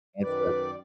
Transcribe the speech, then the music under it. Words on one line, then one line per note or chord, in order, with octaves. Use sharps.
and for
F#2 D#3 B4 D5